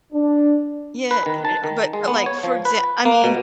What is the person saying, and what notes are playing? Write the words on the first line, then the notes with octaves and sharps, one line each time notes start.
Yeah, eh but but, like, for exa I mean,
D4
B4
D#3
A5
D#3
G#3
B3
C#5
F3
B4
A#3
B2